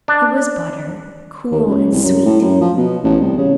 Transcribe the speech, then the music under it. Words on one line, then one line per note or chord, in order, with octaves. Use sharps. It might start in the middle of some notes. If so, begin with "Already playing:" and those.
It was butter, cool and sweet.
D4
D#2
C#2
C2
F#2
A2
F#2
F3
B2
A1
C2
C#3